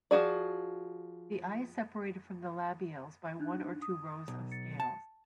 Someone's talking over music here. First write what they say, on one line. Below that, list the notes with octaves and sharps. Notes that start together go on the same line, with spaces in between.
The eye is separated from the labials by one or two rows of scales.
F3 F#4 G#4 D5
D4 D#4 F#6
D#6
B1
A6 C#7
A5